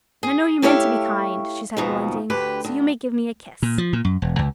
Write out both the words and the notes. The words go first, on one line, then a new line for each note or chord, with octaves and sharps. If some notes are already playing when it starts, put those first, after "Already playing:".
"And I know you meant to be kind," she said, relenting, "so you may give me a kiss."
G#4
A3 E4 G4 C#5 E5 F5
D#2 G#2 B2 F3
D2 G4 B4
D2
A#2
F3
A#2
F#2
E1
C#2